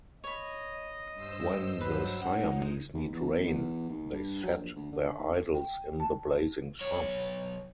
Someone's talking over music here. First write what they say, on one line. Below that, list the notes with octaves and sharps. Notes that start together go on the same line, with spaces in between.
When the Siamese need rain, they set their idols in the blazing sun.
C#5 D#5 B5
G2 C5 E6
F#3 B4
G#3 C#4 D#4 F#5
D#2
E2
E2
D#2
G2
F#3
A#1
D2
D3
D#2
G5
A5
B1 C#5